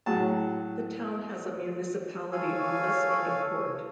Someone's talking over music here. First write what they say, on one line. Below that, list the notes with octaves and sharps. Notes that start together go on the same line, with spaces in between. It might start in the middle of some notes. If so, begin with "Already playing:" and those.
The town has a municipality office and a court.
A2 F#3 F#4 G#4 A5
A4 C#5 F5 G#5 C#6